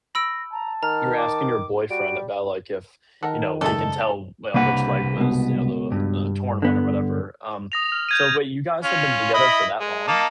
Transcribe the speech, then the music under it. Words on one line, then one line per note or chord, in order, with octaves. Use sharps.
you're asking your boyfriend about, like, if, you know, he can tell, well, which leg was, you know, the, uh, torn one or whatever, um, so but you guys have been together for that long?
B5 E6 A#6 D7
A5 A#5
D#3 A#5 F6
D6
G3 F#4 D7
D#3 A4 A#4 F#5 A#5
F#2 C#3 G#3 A3 D#4 A4 D5 A5
C2 C#3 A#3 B4 F#5
C#2 B2
G2
D3 B3
D#6 A#6 F7
F6
G6 G#6 D#7
C#4 F4
E4 D#5 B5
G#3
A#3 D#4 A5